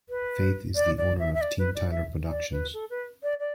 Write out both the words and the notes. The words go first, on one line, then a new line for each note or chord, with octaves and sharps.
Faith is the owner of Team Tyler Productions.
B4
D5
D5
E5
E5
D5
B4
D5
E5
D5
B4
A4
B4
D5
D5